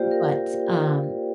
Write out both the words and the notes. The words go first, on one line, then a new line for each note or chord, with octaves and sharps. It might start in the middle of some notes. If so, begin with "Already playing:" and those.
but, um,
Already playing: A#3 F4 G4 C5 D5 F5 G5
A#4